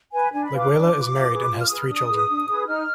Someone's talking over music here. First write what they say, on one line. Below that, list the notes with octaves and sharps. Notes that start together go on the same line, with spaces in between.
Legwaila is married and has three children.
B4 G#5
D4 G#5
B5
F4 B4
D6
D4
F4 B4
F4
G#4 B4
F4
F6
G#4 B4 D#6
F6
D4 D#6
G#4 B4
D4
G#4 B4
D#4 F6